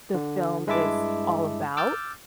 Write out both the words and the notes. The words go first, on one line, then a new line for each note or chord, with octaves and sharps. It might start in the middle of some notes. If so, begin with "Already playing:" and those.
the film is all about.
D3
G2 G#3 E4 E5 A5 D6
D6 E6 F6 G6 A6